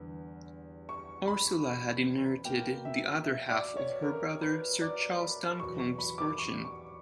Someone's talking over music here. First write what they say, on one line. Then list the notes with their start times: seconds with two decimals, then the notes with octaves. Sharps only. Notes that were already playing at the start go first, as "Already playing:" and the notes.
Ursula had inherited the other half of her brother Sir Charles Duncombe's fortune.
Already playing: E2 D3 G3 B3
0.89 C#6
1.28 B5
2.45 B2 A#3 G5
2.85 E5
3.24 E5
3.50 D5
3.76 C#5
4.02 A#4
4.42 B4
4.81 D5
5.20 B5
5.59 E2 B2 F#3 B3 C#6
5.80 C#6
5.99 B5
6.18 D6
6.38 C#6
6.65 C#6